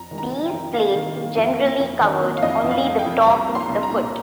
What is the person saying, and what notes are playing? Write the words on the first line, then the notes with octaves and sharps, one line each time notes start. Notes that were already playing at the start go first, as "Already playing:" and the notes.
These plates generally covered only the top of the foot.
Already playing: F2 A#5
D#3
A#5
D#3
G5
F2
A#3 F5
D#3
A#3
F2
A#3
F2
D#3
A#3
F5
F2 D#5
F2
F5
F2
G5
F2
C2 A#5
A#3
C6
C2
A#5
A#2